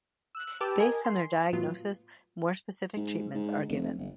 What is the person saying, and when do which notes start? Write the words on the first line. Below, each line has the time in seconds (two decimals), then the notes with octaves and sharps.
Based on their diagnosis, more specific treatments are given.
0.35 E6 F#6
0.61 G4 B4 G5 A5 D6 E6
0.80 A#4 D#5 G#5
1.05 C6
1.53 A2 F#3 B3 F4
2.96 G#2
3.34 G#2
3.69 F1
3.98 G1